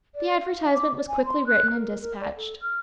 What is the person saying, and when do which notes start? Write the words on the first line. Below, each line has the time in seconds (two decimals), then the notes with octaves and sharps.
The advertisement was quickly written and despatched.
0.15 D5
0.40 F5
0.74 D6
0.96 D5
1.08 G#5
1.25 C6
1.47 F#6
1.70 A#4
2.01 A#4
2.20 D5
2.37 A4
2.61 F6